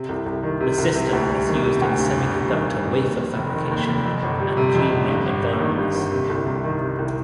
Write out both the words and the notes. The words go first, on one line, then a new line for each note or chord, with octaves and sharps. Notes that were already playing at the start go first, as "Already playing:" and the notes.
The system is used in semiconductor wafer fabrication and cleanroom environments.
Already playing: C3
C2
C2
D#3
C3
C2
C3
D2
G3
D#3
C3
D2
G2
G1
G3
D#3
G2
G1
D#2
F1
F1
D#3
D#2
F1
F2
G1
G3
C3
F2
G1
G2
G1
A#3
D#3
G2
G1
C3
C2
C2
D#3
C3
C2